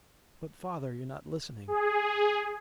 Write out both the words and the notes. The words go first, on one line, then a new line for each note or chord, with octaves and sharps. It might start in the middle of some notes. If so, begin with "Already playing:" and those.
'But, father, you're not listening.
G#4